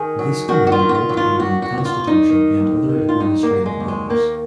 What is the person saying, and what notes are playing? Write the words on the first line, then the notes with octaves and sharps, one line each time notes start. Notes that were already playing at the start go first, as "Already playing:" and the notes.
This committee worked on the constitution and other administrative matters.
Already playing: D#3 G#4
F#3
D#3 F#4
F#4
F4
D#3
F#4
F4
F#3
F4
D#2 F#4
F#4
D#2
F#4
F4
D#2
D#4
D#3
D#2
D#3
F4
D#2 D#4
A#3
F#3
G#3
D#2
G#3
D#3 A#3